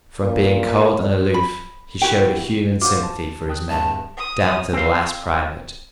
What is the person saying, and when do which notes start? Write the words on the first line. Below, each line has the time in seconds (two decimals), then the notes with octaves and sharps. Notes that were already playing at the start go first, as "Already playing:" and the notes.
From being cold and aloof, he showed a human sympathy for his men, down to the last private.
0.22 A#2
1.34 B5
2.01 E4 F#4 G4 G5
2.81 F4 F#4 C5 D6
3.03 A5
3.49 G5 D#6 F#6
3.70 D1 G2 A5
4.18 D#6
4.73 C4 F5